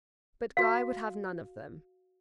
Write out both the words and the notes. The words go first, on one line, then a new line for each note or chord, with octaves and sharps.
But Guy would have none of them.
F#4 F5